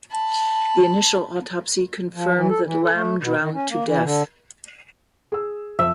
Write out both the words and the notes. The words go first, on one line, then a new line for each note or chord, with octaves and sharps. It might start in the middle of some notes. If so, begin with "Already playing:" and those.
An initial autopsy confirmed that Lam drowned to death.
A5 B5
F3
E3
A4
E3
A4
A3
B2
D#3
C#4
A#3
E3
D3
G#4 E6
F2 E5